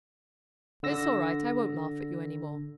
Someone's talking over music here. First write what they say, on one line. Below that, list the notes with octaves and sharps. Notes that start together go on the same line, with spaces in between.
It's all right; I won't laugh at you any more.
D3 E6 A#6